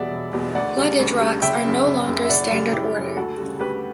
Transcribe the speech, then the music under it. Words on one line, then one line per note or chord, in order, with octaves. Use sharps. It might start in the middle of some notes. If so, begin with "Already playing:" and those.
Luggage racks are no longer standard order.
Already playing: E1 E2 B2 G3 D5 E5 F#5
E1
E2 B2 G3
D2 D5 F#5
C#3 G3
D2
C#3 G3
F#1 E5 G5
F#2 C#3
F#1
F#2 C#3
E5
F#1 D5 F#5
F#2 C#3 G3
F#1 E4 G4
F#2 C#3 G3
D2 F#4 A4
C#3 G3
D2 G4 B4